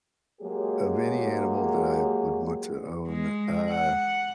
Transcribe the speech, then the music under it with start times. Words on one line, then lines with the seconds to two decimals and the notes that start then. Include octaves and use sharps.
of any animal that I would want to own, uh,
0.41 F#3 G#3 A#3 G4 G#4 C#5
3.07 G#3
3.69 F#5